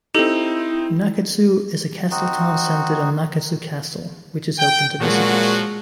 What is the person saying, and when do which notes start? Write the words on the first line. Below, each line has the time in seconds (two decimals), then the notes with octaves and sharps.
Nakatsu is a castle town centered on Nakatsu Castle, which is open to visitors.
0.15 C4 D#4 E4 G4 A4
2.11 C4 D#4 F#4
4.58 G5
5.00 A#2 F3 F#3 G#3 F#4